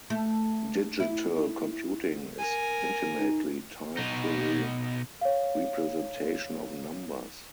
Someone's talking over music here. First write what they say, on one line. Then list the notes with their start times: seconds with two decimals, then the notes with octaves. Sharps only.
Digital computing is intimately tied to the representation of numbers.
0.10 A3
1.00 E4
2.39 A#4 G#5
3.18 D#4
3.97 B2 D#4
5.21 C#5 F5